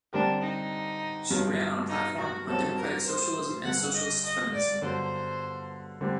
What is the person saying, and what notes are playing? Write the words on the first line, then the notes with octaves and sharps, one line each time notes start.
She ran on a platform on democratic socialism and socialist feminism.
D3 G3 C4 D4 G4 A#4
D#4
G1 G2 F#3
D#4
F#4
G2 F#3 C4 F#4 A4
A#4
C5
G2 D3 G3 F#5
D#5
D#5
D5
G1 G2 D3 F#3 C5
D3 G3 C4